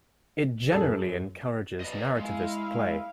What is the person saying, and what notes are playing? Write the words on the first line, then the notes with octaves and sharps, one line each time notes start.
It generally encourages narrativist play.
F#2 G#4 A4
B4 D5 D#5
G#3 E4 F5